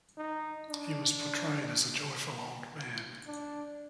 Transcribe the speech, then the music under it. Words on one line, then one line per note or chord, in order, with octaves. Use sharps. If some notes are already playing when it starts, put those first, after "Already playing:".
He was portrayed as joyful old man.
D#4
D4
D4